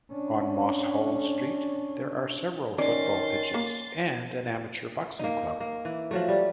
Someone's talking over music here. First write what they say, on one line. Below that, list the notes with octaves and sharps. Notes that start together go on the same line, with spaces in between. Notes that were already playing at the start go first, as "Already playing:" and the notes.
On Mosshall Street, there are several football pitches and an amateur boxing club.
C#4 D4
D#3 C#4 D5 C6 A6
A#3
A#3 D#4
A#3
E3
F3 F#3 A3
G3